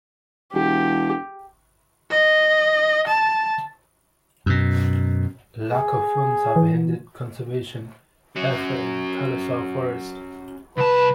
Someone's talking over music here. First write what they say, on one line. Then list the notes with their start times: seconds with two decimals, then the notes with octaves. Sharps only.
Lack of funds have hindered conservation effort in Kalesar forest.
0.53 E1 G4
2.11 D#5
3.08 A5
4.46 F#2 B2
5.72 G#4
6.56 E3
8.36 C#4 F#4
10.77 C2 B4 A5